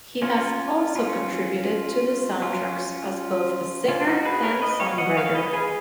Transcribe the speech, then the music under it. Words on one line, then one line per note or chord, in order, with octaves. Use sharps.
He has also contributed to the soundtracks as both a singer and songwriter.
C#4 F4
C#4 F4
C#4 F4
C#4 F4
D#4 F#4
G#4 B4
A#4 C#5
B4 D#5
C#5 F5
D#5 F#5
C#5 F5
B4 D#5
G#4 B4